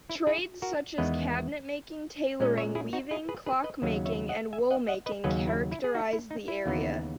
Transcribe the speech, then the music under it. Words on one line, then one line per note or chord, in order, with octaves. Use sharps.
Trades such as cabinet-making, tailoring, weaving, clock-making, and wool-making characterized the area.
E4
E4 G#4
F#4 A#4
E2 D#3 G#3 B3 B4 D#5
A#2 G#3 C#4
C#5 E5
E4 G#4
D#4 F#4
E4 G#4
G#4 B4
G#4 B4
B4 D#5
D#2 C#3 F#3
C#5 E5
D#5 F#5
E5 G#5
D#5 F#5
D#5 F#5
B4 D#5
D#2 C#3 F#3 C#4 B4 D#5
E4
E4
G#4
D#4 F#4
E4
D#4
E4
D#2 C#3 E3 B3 D#4